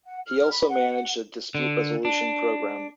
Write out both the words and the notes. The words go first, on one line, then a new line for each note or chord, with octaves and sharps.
He also managed a dispute resolution program.
F#5
F6
B5
F#5
D3
D4